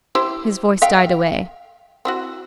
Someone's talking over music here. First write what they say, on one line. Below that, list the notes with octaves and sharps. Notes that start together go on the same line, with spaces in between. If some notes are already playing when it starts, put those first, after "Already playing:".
His voice died away.
E4 G4 C5
E5 F5 G5
C4 E4 F#4